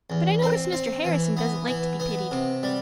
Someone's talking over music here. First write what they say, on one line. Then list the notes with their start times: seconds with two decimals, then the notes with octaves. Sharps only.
But I notice Mr. Harrison doesn't like to be pitied.
0.10 E2
0.42 C4
0.73 C4
1.05 E3
1.37 B3
1.68 E3
2.00 B3
2.31 C3
2.63 G3